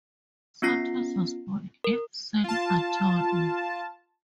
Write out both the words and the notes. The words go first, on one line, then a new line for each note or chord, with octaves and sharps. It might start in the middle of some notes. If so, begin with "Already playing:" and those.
Santos was born in San Antonio.
B3 C#4 F4 A#6 C7
A#4
F4 A5